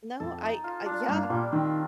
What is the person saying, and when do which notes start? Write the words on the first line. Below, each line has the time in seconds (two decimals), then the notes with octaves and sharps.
No, I Uh, yeah.
0.20 F2 A4
0.42 D#4
0.64 F4
0.86 D4
1.08 G2 A#3
1.30 A#2 G3
1.52 D#3 C4